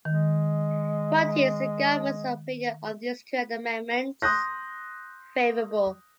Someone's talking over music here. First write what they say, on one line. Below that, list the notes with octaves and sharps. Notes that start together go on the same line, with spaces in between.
What is the Government's opinion on these two amendments? Favorable.
D#3 G#3
C6 D#6 F#6 G6 A#6